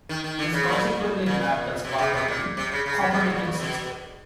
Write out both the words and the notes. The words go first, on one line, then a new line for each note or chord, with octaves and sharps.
It is consequently mapped as part of the Copernican System.
D#3
D#3
D3
C#3
B2
A#2
A#2
B2
C#3
C3
A#2
C3
C#3
C#3
C#3
C3
B2
A#2
A#2
B2